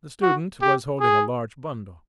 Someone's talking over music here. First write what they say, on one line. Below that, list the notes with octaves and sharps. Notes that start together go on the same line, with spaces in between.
The student was holding a large bundle.
F#4
G4
G#4